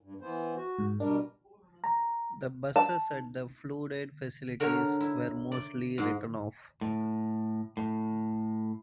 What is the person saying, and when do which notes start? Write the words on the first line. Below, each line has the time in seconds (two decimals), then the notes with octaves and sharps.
The buses at the flooded facilities were mostly written off.
0.01 G2
0.21 E3 B3 C5
0.56 F#4
0.78 G#2
1.00 B2 G3 D4 A#4
1.84 A#5
2.76 A5
4.60 D3 A#4 C#5
5.00 E4
5.52 D5
5.98 G#2
6.81 A2
7.77 A2